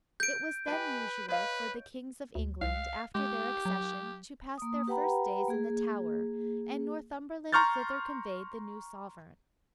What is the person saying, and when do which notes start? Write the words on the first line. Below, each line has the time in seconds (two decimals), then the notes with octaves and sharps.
It was then usual for the kings of England, after their accession, to pass their first days in the Tower, and Northumberland thither conveyed the new sovereign.
0.20 G6 D7
0.68 G4 B4 D#5 G#5
1.29 B4 C#5 D#5 F5
2.35 D2
2.61 C2 F5
3.15 G#3 G4
3.65 F#3
4.58 A#3 D#6
4.88 G4 B4 F#5 G5 A#5 B5
5.48 A#3 G#4
7.53 A#5 C6 C#6 F6 G6 A6